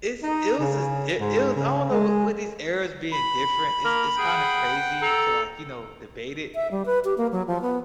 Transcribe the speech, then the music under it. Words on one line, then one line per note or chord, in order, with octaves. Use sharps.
It's it was just di it was I don't know, w with these eras being different, it's it's kinda crazy to, like, you know, debate it.
D#4
C#3
G#2
C#3
G#3
B5
A#3
G#4 F#5 G5
A4 A#5
E5
G3
B4
G4
A#3
F#3
F3
B3